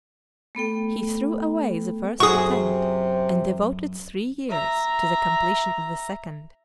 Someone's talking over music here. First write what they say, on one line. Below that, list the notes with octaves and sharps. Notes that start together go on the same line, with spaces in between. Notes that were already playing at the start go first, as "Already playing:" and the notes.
He threw away the first attempt, and devoted three years to the completion of the second.
A3 B3 A4 G5
F#2 C3 F#4 G#4 C#6 D#6
E5 A#5